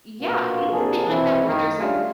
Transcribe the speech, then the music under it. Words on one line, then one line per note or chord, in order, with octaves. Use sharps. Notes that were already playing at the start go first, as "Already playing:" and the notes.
yeah, anything like that where there's like,
A#1 B2 A#3 B3 F4 F#4
C3 F3 A#3 D4 G#4 A4
B2 E3 C4 E4
F#2 D#3
G3 A3 C#4 D4 F4 G#4